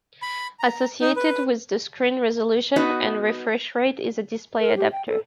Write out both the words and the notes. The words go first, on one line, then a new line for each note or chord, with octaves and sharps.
Associated with the screen resolution and refresh rate is a display adapter.
B5
A#5
D#4
B4
B3 D#4 F#4 B4 D#5
A#4
G4
G5
A4